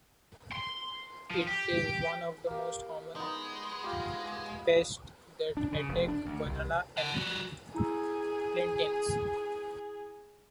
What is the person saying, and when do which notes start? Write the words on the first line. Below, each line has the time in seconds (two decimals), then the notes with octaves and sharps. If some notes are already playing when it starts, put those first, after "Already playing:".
It is one of the most common pest that attack banana and plantains.
0.53 C6
1.30 F3
1.47 G4
2.47 A#3 G4
3.16 G#3 B3 D#4
3.84 F4 G4
5.57 D4
5.72 C#3
5.89 F1
6.08 D4
6.26 D2
6.46 C2
6.97 F#5 A5
7.14 G3 F#4
7.75 E4 G#4 A#5 E6